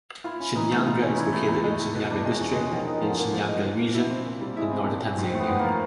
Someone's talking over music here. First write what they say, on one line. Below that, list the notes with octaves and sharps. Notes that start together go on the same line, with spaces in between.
Shinyanga is located in Shinyanga District, in Shinyanga Region, in northern Tanzania.
E4 F4
C#4
E3 D#4
A3
D#4 F4
C#4
E3 E4
A3
E2
G#3
E2
B2
E2 D4
G#3
C#4
E2
B2 G#3
D#3 F3
D#4
D3 F3
A#3
F3
D#4
F3
A#3
E4
C4
A#2
G3
G#3 E4
C4
D4
A#2
C#4
G3
G#2 C4
A3
B3
G#2
A#3
F3